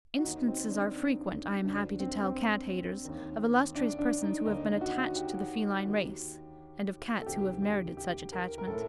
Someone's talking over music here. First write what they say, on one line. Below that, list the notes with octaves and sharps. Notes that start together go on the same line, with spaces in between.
Instances are frequent, I am happy to tell Cat-haters, of illustrious persons who have been attached to the feline race, and of Cats who have merited such attachment.
F#4
D#2 D#3 D#4
C4
D4
D2 D3 D4
C4
C4
D#2 D#3
D4
D4
D#4
D#2 D3 D#4
F#4
G4
D#2 D#3 G4
A4
D2 C3 D#3 G4
G4
G4
A#4
A#4
A2 A4